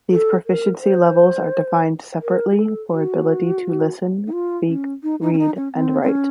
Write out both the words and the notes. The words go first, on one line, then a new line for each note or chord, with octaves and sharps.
These proficiency levels are defined separately for ability to listen, speak, read and write.
A4
A#4
C5
A#4
F#4
A4
F#4
D#4
F4
C#4
D#4
D#4
C#4
D#4
C#4
C4
C4
C#4